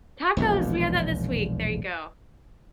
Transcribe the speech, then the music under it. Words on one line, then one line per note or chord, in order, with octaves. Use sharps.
Tacos, we had that this week, there you go.
E1 A#1 D#2